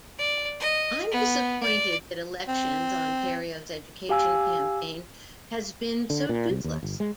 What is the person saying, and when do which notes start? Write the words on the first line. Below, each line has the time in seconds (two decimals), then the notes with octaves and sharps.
I'm disappointed that Elections Ontario's education campaign has been so toothless.
0.19 D5
0.60 D#5
1.12 B3
1.63 D5
2.47 C4
4.09 G4 F5 G#5 E6
6.10 D3
6.29 A#2
6.50 C2
6.64 D#2
6.83 G1
7.00 G#3